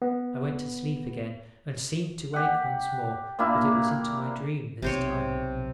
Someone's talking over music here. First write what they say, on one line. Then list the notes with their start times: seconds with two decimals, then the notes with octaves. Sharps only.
I went to sleep again, and seemed to wake once more; but it was into my dream this time.
0.02 B3
2.33 G4 F#5
3.39 A#2 A#3 D4 E4
4.82 B1 C3 C5 C#5